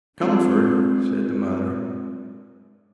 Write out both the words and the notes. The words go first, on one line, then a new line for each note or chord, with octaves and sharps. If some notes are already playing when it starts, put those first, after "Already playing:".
"Comfort!" said the mother.
G#3 C4 D4 F4 A4